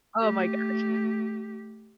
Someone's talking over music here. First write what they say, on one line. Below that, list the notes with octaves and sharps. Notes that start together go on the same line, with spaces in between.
Oh my gosh.
A3 G4